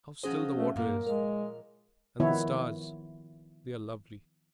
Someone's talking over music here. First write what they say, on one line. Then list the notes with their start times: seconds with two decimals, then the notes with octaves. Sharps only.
"How still the water is; and the stars, they are lovely!"
0.23 F3 F#3 C#4 G#4 C5 D#5
0.58 A3
0.76 G2 A#2 A#3
1.07 G#3 A#4 F5
2.20 D#3 F3 B3 E4 C#5